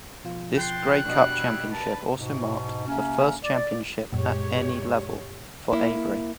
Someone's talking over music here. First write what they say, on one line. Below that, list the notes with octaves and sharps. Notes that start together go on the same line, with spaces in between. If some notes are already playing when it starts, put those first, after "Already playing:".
This Grey Cup championship also marked the first championship at any level for Avery.
B2 F3 F4
G5 C6 F#6 A6
B2 G3 D4 D5 D#5
E4
B4 A5
G#2 B2
C3 A#3 C#4
D5
F#2 A#2 G#3 G4 C#5
A#3 E4